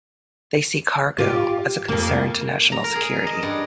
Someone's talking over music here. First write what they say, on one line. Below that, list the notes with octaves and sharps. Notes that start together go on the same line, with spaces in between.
They see cargo as a concern to national security.
F4 G4
F2 A#3
A#5
A#4
G#4
D#5
G2